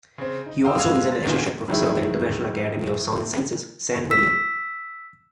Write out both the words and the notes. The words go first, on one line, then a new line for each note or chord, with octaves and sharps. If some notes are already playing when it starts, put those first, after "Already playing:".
He also is an associate professor of the International Academy of Sciences San Marino.
C#3 C4
D#4
F5 G5 D#6 E6
B1 G#3 F5 E6 G#6 F7
A6
G1 B2 D#3 A#3 F4 G#5
F2 D#3 F#3 G#3 E4
E6 B6